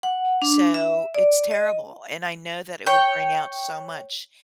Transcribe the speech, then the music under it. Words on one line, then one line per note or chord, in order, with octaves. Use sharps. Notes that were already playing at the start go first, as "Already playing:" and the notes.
So, it's terrible, and I know that it would bring out so much
F#5
D4
E5
D5
D#5
C#5 G5